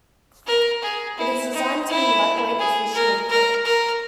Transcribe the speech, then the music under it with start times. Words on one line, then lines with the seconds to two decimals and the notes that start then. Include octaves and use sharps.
It is designed to be light-weight, efficient and quick.
0.47 A#4
0.82 G#4
1.17 E4
1.53 D#4
1.88 E4
2.59 G#4
2.94 A#4
3.29 A#4
3.65 A#4